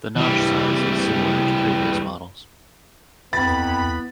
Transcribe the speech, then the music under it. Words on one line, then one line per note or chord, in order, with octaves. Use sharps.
The notch size is similar to previous models.
E3 G3
F2 E3 B3 B5 A6